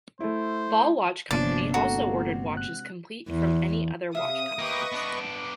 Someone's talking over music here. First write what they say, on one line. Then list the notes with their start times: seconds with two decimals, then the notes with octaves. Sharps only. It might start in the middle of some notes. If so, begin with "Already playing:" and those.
Ball Watch Company also ordered watches complete from other watch companies.
0.20 A3 E4 C5
1.31 G1 C3 F3 A#3 B3 C#4 D4 D5
1.74 C3 G#3 F#4 A4 A#5
2.57 F#6
3.29 E2
4.15 C3 E5 F5 D#6
4.59 A#3 G4 B4 D#5 C#6
4.92 B3 D4